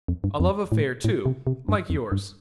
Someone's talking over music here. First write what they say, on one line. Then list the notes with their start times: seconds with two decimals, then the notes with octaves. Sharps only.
A love affair too--like yours.
0.08 F2
0.24 G2
0.40 F2
0.72 A2
1.04 A2
1.26 C3
1.47 C3
1.69 G2
1.90 F2
2.12 G2